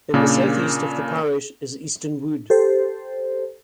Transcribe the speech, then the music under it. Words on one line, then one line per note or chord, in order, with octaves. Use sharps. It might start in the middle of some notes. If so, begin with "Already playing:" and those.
In the south-east of the parish is Easton Wood.
A#2 C#3 A#3 D4
G4 A4 C5